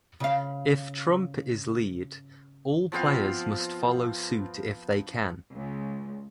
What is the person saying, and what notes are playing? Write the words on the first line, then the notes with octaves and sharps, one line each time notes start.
If trump is lead, all players must follow suit if they can.
C#3 F5
F3 B3 C4 F5
C#2